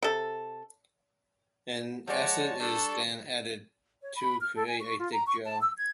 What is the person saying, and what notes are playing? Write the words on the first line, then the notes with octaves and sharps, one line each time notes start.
An acid is then added to create a thick gel.
C3 A4
F3 G#3 C#5 D5 F#5 A5
G3 D4 A4 A5 C#6
C#5
B5
F6
A4
G#5
C#6
F4
A#5
C#6
A5
E6
G#6